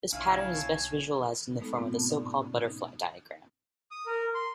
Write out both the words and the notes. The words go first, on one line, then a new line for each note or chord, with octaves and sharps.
This pattern is best visualized in the form of the so-called butterfly diagram.
B1 D4 E4 C#5 F5 G#5 A5
G#3 A3 B3 D#4 A4
G#2 B2 B3 C4 F4
A5 B5
A2 D#4 D5
C#4
D#4
D#6
A#4
C6